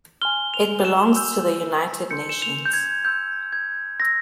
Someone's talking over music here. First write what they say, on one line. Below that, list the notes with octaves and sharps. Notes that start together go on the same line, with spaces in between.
It belongs to the United Nations.
G#5 C6 F6 G7
F7
E7
G#5 E6 G6
C6 G6 C#7
E7
F7
G6
G#6
C6 E6 G6
G#6
C6 E6 G6 A#6